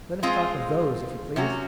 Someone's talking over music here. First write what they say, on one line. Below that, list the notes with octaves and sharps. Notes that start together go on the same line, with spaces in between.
Let us talk of those, if you please.
G#3 C4 F4 G#4
C3 F#3 C#4 F#4